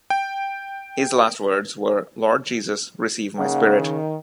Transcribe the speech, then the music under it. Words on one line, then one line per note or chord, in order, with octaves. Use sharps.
His last words were "Lord Jesus, receive my spirit".
G5
C#3 A#3 D#4 F#5
D#3